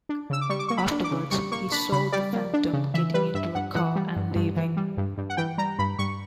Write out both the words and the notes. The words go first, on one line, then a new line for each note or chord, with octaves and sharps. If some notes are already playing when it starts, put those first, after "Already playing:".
Afterwards, he saw the Phantom getting into a car and leaving.
D4
C#3 E6
D6
G3 C#6
D6
A#3 C#6
B5
D4
D6
C#3
G3 C#6
A#3 C#6
D4 B5
C#3 B5
G3 D5
A#3
D4
C#3
E3 E5
G3 B4
G2 E5
G2 F#5
E3 F#5
G3
G2
G2
E3
G3
G2
G2
F#5
E3 G5
G3 A#5
G2 B5
G2 C#6